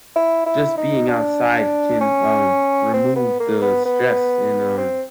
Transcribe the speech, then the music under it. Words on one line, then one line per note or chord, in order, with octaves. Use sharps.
just being outside can, um, remove the stress and, uh,
E4
E4
D#4
D4
C#4
C4
B3
A#3
B3
B3
C4